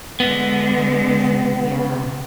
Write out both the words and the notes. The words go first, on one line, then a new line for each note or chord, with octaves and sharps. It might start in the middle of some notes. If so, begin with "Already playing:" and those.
I see. Yeah.
D3 G#3 B3